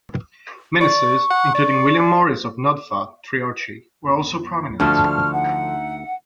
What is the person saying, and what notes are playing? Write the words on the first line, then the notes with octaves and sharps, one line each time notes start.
Ministers, including William Morris of Noddfa, Treorchy were also prominent.
D5 C#6
F#5
D5
D2 D3 F3 A3 A4 C#6 F6
D#4 E5 F#5